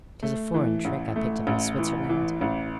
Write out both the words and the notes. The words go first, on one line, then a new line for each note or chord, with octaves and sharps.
'Tis a foreign trick I picked up in Switzerland.
A3
E3
A1
A3
A1
E3
E3
A1